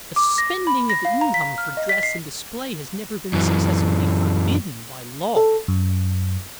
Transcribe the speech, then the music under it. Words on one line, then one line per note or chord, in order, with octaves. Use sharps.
The spending of income for dress and display has never been successfully forbidden by law.
D6
A#6
B5
A#6
F5
A#5
B6
F6
D#5
B6
C7
F#2 E3
A4
F#2